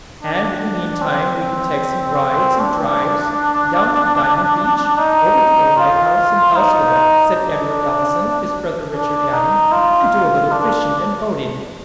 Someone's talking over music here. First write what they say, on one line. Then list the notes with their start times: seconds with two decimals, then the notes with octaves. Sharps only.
"And in the meantime we can take some rides and drives,--down to Diamond Beach, over to the light-house, and elsewhere," said Edward Allison, his brother Richard adding, "and do a little fishing and boating."
0.23 D4
1.02 C4
2.60 D4
4.98 D#4
5.76 F4
6.56 D#4
7.35 D4
8.93 D4
9.33 D#4
9.72 F4
10.52 D4